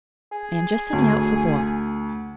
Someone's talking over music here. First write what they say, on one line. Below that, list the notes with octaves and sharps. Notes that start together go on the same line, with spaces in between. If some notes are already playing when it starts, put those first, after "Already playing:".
I am just setting out for Blois.
G#4
D2